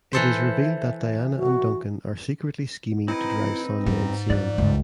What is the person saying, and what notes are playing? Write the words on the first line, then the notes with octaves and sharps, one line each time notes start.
It is revealed that Diana and Duncan are secretly scheming to drive Sonia insane.
E3 A4 C5
F#4
C4 D#4 E4 B4
G#2 G3
F3 D5 F#6
C#2 G2